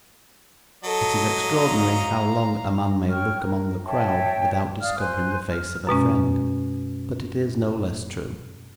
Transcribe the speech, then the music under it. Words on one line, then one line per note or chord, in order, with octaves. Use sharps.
It is extraordinary how long a man may look among the crowd without discovering the face of a friend, but it is no less true.
F#3 A4 D#5
F5 A#5
C#5 G5 C#6 F6
A#4
C#5 E5 G5 A5
D5 F5 D#6 F6
C5 G#5 C6 F#6
F6
F#2 B2 G#3 C#4